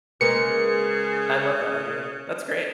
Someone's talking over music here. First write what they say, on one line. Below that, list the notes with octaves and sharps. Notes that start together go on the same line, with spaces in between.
I love that idea. That's great.
C#3 G#3 A#3 G#4 B4 C#7